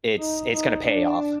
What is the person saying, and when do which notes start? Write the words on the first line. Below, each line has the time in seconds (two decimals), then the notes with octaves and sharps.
it's it's gonna pay off.
0.18 D#4
0.52 D#4
0.86 D4